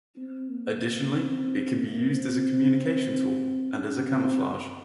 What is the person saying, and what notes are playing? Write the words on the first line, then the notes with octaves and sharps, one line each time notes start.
Additionally, it can be used as a communication tool and as a camouflage.
C4
A#3
C4
A#3
C4
C#4
C4